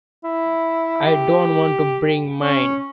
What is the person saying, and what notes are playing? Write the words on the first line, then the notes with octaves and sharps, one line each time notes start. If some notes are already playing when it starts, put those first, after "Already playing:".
I don't want to bring mine.
E4
G4
C#4